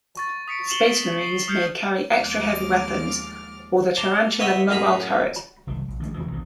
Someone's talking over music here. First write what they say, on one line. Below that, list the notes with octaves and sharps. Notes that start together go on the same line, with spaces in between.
Space marines may carry extra heavy weapons or the tarantula mobile turret.
C#6 A6
D#6 B6 C#7 D7
C7 E7 F#7 G7
C7
D#6 F6 G6 G#6 C7 C#7
D#2 F3 G#3 D6 F6 A6
A5 A#5 C6 D6
B4 C#5 D#5 E5 F#5
F#2 A2 G#4 A#5 B5
F#1 C2 D#3
A#1
A1 D3 G#3
D#1 F2 C#3 E3
A#1 E2 D3 F3